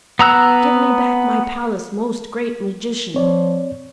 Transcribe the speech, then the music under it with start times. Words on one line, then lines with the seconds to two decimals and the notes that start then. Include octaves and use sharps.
Give me back my Palace, most great magician.'
0.19 B3 A#5 E6 F#6
3.14 F3 C4 C#5 D5